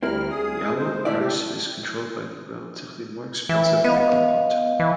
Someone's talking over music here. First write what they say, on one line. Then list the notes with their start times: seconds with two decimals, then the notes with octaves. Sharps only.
The alloy price is controlled by the relatively more-expensive nickel content.
0.03 D2 G3 C4 E4 A#4 F6
0.30 G#4 D#6
0.75 G#3 C5
1.05 A2 E4 D5 E5
1.19 G4
3.49 E3 E5
3.84 B3 D#5 F5
4.80 E3